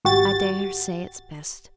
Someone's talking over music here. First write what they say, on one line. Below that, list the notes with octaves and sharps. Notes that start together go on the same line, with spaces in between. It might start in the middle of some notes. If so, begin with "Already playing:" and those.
I dare say it's best.
G#1 F#4 G4 A6